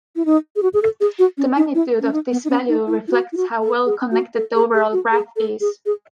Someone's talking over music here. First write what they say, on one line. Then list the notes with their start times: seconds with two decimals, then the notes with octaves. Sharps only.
The magnitude of this value reflects how well connected the overall graph is.
0.16 E4
0.25 D#4
0.56 G#4
0.63 F#4
0.74 G#4
0.82 A4
1.01 G#4
1.19 F#4
1.37 C#4
1.57 D#4
1.75 E4
2.01 C#4
2.13 D#4
2.31 B3
2.45 D#4
2.50 C#4
2.69 D#4
2.87 E4
3.08 E4
3.11 F#4
3.33 E4
3.37 F#4
3.62 A4
3.86 G#4
4.12 F#4
4.36 A4
4.55 G#4
4.74 G#4
4.93 F#4
5.12 G#4
5.37 A4
5.61 G#4
5.86 G#4